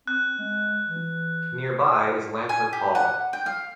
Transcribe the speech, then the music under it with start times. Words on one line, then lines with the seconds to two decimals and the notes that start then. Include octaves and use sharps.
Nearby is Lamport Hall.
0.07 C4 F#6
0.39 G#3
0.86 E3
2.49 G#5
2.73 G4
2.95 F#5
3.33 G5
3.46 F5